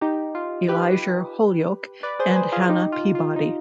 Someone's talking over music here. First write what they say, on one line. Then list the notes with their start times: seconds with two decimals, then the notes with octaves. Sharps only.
Elizur Holyoke and Hannah Peabody.
0.01 D#4 G4
0.35 F4
0.68 G4 B4
2.03 B4 D5
2.19 G#4 C5
2.29 B4
2.36 G#4 C5
2.52 F4 G#4
2.69 D#4 G4
2.92 F4
3.15 F4
3.36 D#4